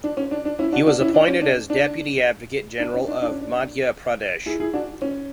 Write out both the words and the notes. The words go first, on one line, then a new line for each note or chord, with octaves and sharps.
He was appointed as Deputy Advocate General of Madhya Pradesh.
D4
C#4
D4
D4
C#4 E4
D4 F#4
D4 F#4
C#4 E4
D4
C#4
D4
D4
D4
C#4
D4
D4
C#4
D4
E4 G#4
E4 G#4
D4 F#4
C#4